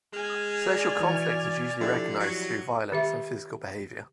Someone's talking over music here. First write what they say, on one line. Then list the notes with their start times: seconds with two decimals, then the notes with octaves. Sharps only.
Social conflict is usually recognized through violence and physical behaviour.
0.13 G#3 G#5 F6
0.66 D5
1.00 E3 F#4 C#6
1.81 D3 F3 E4 G4
2.20 F#3
2.92 D#3 G4 E5